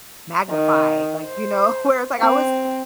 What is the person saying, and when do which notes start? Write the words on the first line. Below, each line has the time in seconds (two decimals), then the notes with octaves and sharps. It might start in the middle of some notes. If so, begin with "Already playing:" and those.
magnified, like, you know, where it's like I was
0.49 D#3
1.26 C5
2.20 C4